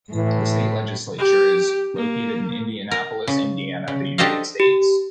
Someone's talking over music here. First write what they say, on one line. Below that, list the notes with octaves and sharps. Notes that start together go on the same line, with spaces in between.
The state legislature is located in Indianapolis, Indiana, the United States.
A2 E3
G4
A#3
A#4
C#3
C#3
D4 G4 A4 C5 D#5 F5
G4